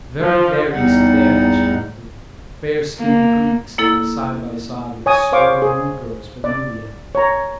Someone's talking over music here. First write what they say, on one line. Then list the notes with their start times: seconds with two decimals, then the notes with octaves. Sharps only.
Very various is their nationality; fair skinned Greeks lie side by side with swarthy negroes from Nubia.
0.21 F3
0.72 E2 G3 D#4 F#5
2.98 A#3
3.78 A#3 E4 A4
5.06 C#5 G#5 D#6
5.33 C5 C#5 F5 C#6 D6
5.62 G#4
6.44 D5
7.15 C#5 A#5